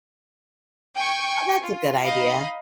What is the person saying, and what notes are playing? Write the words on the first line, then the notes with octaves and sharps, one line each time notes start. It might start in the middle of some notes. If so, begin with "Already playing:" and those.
Oh, that's a good idea.
G5 G#5 C#6
F4
D#4 D#5 F5 B5